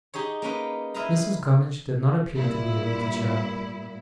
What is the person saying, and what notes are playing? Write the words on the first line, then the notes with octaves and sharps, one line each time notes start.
Mrs. Gummidge did not appear to be able to cheer up.
D#4 G4 G#4 C#5
A#3 C#4 D#4 B4
E4 B4 D#5 F5 A#5
G2 A#2 E4